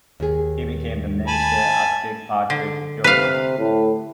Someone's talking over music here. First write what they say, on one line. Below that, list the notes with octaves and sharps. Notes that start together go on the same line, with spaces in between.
He became the minister at Kirkpatrick Durham.
D#2 G#4
G#5 A5 B5
D3
C3 B4 F5
A2